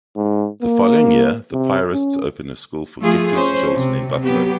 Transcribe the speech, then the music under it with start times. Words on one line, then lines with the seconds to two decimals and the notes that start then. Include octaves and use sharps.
The following year, the Piarists opened a School for Gifted Children in Buffalo.
0.16 G#2
0.62 A#3
1.53 C3
1.92 C#4
3.00 F3 A3 F4 G#4
3.34 C#4 C5
3.73 C3
4.23 F#3 B3 G4